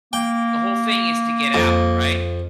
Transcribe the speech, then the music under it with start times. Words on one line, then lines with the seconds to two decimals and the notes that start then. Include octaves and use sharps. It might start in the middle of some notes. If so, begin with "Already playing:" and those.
the whole thing is to get out, right?
0.13 A#3 G5
1.54 F2